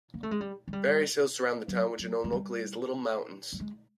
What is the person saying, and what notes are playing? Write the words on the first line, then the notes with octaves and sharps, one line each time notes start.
Various hills surround the town, which are known locally as little mountains.
A#3
A3
G#3
G3
G#3
G3
F#3
F#3
G#3
G3
G3
G#3